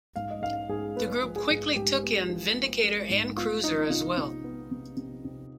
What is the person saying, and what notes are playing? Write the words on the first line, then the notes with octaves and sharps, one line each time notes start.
The group quickly took in Vindicator and Cruiser as well.
G#2 F5
D#5
G#2 F5
G#2 G#4
B3 B4
F3
G#4
G#2
G#2 G4
B3
F3
B3
G#3
G#2
B3 F4
F3 D#4
C3 F4
C3
B3
C3
C3
C3